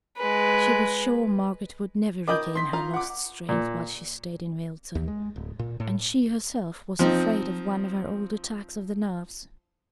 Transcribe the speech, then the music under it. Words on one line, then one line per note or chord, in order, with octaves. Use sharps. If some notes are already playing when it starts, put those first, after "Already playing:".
She was sure Margaret would never regain her lost strength while she stayed in Milton; and she herself was afraid of one of her old attacks of the nerves.
G#3 B4
D#3 D#5 B5 D6 D#6 G6
C6 B6
F4 A#5
F#5 D6
A#2
D#2
G#3
D1
A#2
A2
F3 C4 D#4